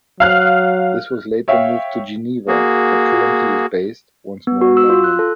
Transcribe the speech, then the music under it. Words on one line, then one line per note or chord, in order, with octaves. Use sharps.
This was later moved to Geneva, but currently is based once more in London.
F#3 F5 F6 F#6
C#5 E5 F5 G5
A#3 F#4 G#4
B3
F#4
E6
F4
F#6
A4